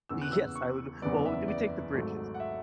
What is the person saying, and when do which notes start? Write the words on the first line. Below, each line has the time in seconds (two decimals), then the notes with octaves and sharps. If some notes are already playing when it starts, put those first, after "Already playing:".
Yes, I would Well, do we take the bridges?
0.09 E2 C#3 E3 E6
0.21 F#6
0.31 E6
0.55 C#6
1.02 F#1 E2 C#3 E3 B3 D5
1.26 E5
1.48 D5
1.94 G#1 G#2 F#3 A3
2.34 F#5
2.40 E5